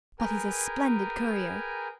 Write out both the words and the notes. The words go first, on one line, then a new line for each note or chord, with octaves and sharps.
But he's a splendid courier.
G#4 A#4 B4 G5 G#5 A#5